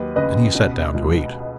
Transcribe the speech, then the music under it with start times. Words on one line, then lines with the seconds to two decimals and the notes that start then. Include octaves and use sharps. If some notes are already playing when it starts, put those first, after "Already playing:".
Then he sat down to eat.
Already playing: D#2 F#3 B4 D#5
0.16 C#3 B4 D#5
0.55 B2
0.94 C#2